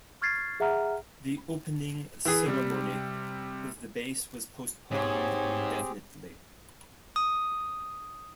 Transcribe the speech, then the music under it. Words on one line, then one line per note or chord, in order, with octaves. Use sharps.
The opening ceremony of the base was postponed indefinitely.
C#6 F6 G#6 A6 C7
G#4 E5 F#5 A#5 F6
E3 G#4
C3 G3
G#2 C4 G4 G#4 C#5
D#6